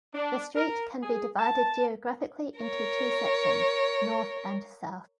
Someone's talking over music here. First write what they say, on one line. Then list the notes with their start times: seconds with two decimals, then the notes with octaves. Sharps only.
The street can be divided geographically into two sections, North and South.
0.14 D4
0.56 A#4
1.02 G#4
1.39 A5
2.60 A#4 C#5